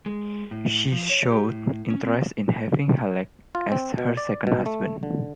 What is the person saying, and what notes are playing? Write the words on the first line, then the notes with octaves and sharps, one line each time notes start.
She showed interest in having Halleck as her second husband.
G#3
A2
F3
C#5
G4
A2
C#4
C4
F4
C4
B2
D5
B2
A3
D3